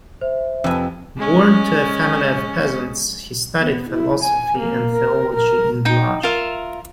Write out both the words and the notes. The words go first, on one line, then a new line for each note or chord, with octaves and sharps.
Born to a family of peasants, he studied philosophy and theology in Blaj.
C5 E5
F2 C3 B4 G#5 E6
G#3 C#4
B3
E4
G#5
A#3
A#4
A#4
D#4 G5
F4 A#4 E5